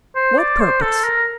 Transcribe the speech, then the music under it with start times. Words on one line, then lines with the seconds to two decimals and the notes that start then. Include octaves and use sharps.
"What purpose?"
0.16 C5
0.38 D5
0.60 C5
0.81 A4
1.04 A#4